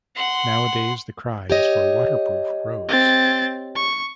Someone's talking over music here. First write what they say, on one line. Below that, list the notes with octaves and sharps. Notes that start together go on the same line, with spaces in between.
Nowadays the cry is for waterproof roads.
F#5 C6
G4 C#5 D#5
C4 A6
C#6